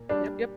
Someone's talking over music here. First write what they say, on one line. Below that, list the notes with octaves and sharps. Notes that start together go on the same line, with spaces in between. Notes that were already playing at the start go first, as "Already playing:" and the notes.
Yep, yep.
Already playing: A#2 A#3
G3 D4